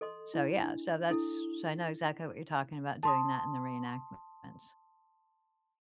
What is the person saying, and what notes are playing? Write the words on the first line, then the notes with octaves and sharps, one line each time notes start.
So yeah, so that's so I know exactly what you're talking about doing that in the reenactments.
A4 D#5 C6
E4
D4
D4 E4 A4
A5 C6 D#6